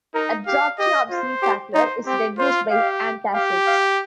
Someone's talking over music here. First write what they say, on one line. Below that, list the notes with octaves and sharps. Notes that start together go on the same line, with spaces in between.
Absorption of cefaclor is reduced by antacids.
D#4 A#4
G4 F5
G4 D#5
F4 C5
G4
D#4 C5
C4 G4
F4 C5
G4 F5
G4 F5
F5